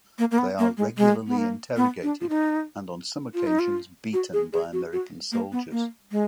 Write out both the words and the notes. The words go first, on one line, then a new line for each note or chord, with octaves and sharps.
They are regularly interrogated, and on some occasions beaten by American soldiers.
A#3
A#3
B3
A#3
G#3
G#3
B3
A#3
B3
D4
F4
D#4
F4
D#4
F4
F#4
G#4
G#4
F#4
F#4
A#3
B3
A#3
G#3